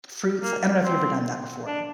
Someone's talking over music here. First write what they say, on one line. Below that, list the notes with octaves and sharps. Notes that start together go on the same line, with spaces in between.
fruits li I don't know if you've ever done that before.
A#3
C4
D4